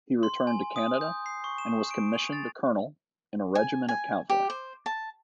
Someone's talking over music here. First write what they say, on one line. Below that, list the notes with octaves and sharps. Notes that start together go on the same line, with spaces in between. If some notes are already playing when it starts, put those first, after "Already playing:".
He returned to Canada and was commissioned a colonel in a regiment of cavalry.
C6
G#5
D#6
G6
C7
C#6
E7
D7
F7
A6
G#5
G#5
G4
C5
A5